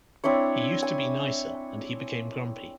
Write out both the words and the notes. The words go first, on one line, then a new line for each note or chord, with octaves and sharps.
He used to be nicer and he became grumpy.
C4 D4 E4 C#5
G#5